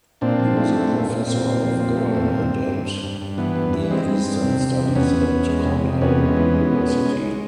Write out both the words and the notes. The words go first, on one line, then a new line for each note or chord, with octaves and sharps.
He was a Professor of Government and Near Eastern Studies at Cornell University.
A#2 C4 D4
F3
A3
A3
A#2
A#2
A#2 C4
A#2
F3
A#2
A3
A#2
G2
G2
G2
G2
G2
G2
E3 B3
G2
E3
G#3 C4
G#3
G2
C3
C3
E2
E2 B3 C#4
E2
E2
G#3
C3
C3
E2 B3 C#4
G#3
E3
G#3
B2
G#3
G#3
G#3